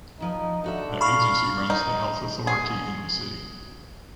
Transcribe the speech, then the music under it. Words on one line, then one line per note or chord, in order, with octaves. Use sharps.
The Agency runs the health authority in the city.
E2 F3 D#4 G#5
D3 D#4 F#4 E5
A4 F5 B5 C#6
D#4
G#4